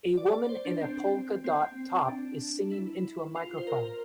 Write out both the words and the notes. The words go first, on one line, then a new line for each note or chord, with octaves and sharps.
A woman in a polka dot top is singing into a microphone.
D5
D5
C5
D4
C4
C4
D4
E4
F4
C5
A#4